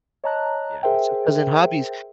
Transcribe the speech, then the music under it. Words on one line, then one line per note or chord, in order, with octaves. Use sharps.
Yeah, so 'cause in hobbies,
C#5 D#5 A5 A#5 F#6
G#4 A#4 C5 E5 G5